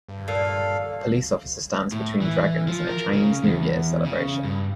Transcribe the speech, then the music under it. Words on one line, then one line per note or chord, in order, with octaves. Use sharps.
A police officer stands between dragons in a Chinese New Year celebration.
G2
A#2 A4 F5
A2
E3
F3
A#4
C#3
E2
C#3
G2